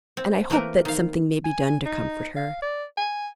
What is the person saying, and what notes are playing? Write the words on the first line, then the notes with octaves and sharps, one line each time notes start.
And I hope that something may be done to comfort her.
C4
E3 A3 A#3 C4 A#4 B4
D#3 F5
G#5
D#4
F5
D5
G#5